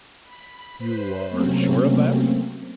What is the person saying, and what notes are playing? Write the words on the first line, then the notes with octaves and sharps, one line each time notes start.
"You are sure of that?"
B5
B4 C5 B5
C3 F#3 A3 A#3 C4 C#4